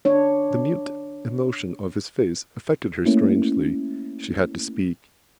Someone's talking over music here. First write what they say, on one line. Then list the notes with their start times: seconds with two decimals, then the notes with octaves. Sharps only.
The mute emotion of his face affected her strangely. She had to speak.
0.05 D4 C#5
3.05 A3 A#3 C#4 E4